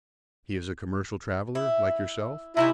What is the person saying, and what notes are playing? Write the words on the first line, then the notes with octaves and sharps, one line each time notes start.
"He is a commercial traveler like yourself?"
E4
C3 C#4 D#4 E4